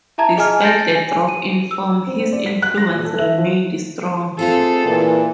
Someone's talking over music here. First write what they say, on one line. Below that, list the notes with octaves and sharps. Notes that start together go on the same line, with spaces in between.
Despite the drop in form, his influence remained strong.
E4 E5 A5 A#5 G#6
G#4 D#5 G#5 A5 F6
G6 A6 A#6 D7
G#5
D#7
E6
C4
C4
D5
B6
F#6
A#6
A#2
A4
E5
F3
A3 C4 F4 G#4 A4
A#2 E3